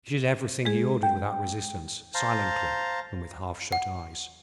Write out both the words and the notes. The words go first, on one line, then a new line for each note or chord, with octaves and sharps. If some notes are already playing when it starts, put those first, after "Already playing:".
She did everything he ordered without resistance, silently, and with half-shut eyes.
G#3 G#4
G5
C5 F5 A5 A#5
F#5